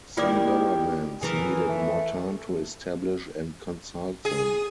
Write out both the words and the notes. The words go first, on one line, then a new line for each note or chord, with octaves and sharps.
Some governments needed more time to establish and consult them.
D#3 A#3 E4 F4 G4 D5 D6
F#2 E3 G#4 A#4
A3
G#4